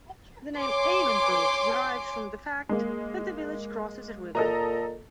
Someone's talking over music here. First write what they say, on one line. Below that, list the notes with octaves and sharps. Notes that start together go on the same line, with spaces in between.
The name Avonbridge derives from the fact that the village crosses a river.
C#5 G#5 C6 D6
G#3 A#3
A#2 A4 D#5 A#5